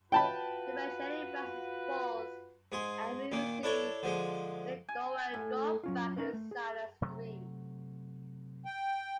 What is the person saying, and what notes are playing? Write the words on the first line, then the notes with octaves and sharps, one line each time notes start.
The machete rises, falls, and we see McDowell draw back in a silent scream.
F4 F#4 B4 G5 A5 B5
G#2 G#4 C6
A#2 D#3 A#3
D4 E4 A4 C#5
D3 F3 G#3
G#5
A2
F#3 C#4 F4
B3 C#4 D#4 A#4
A3
G#4
C3 F#3 A3
G5